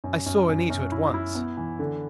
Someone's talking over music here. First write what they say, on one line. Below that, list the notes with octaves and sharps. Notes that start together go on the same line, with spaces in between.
I saw Anita at once.
F#2
F#2
F#2
F#2
E4
E4
B3
E3
D3